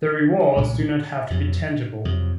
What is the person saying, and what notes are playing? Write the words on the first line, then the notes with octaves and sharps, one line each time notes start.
The rewards do not have to be tangible.
C2 A#2 G#3 C#4
F2 C3 F#3
F2 C3 F#3